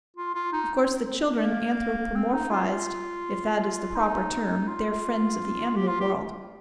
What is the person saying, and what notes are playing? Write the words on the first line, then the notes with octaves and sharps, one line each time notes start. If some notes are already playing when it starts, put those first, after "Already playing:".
Of course the children anthropomorphized--if that is the proper term--their friends of the animal world.
F4
F4
D#4
A#3
C4
D#4
F4
D#4
F4
G4
F4
G4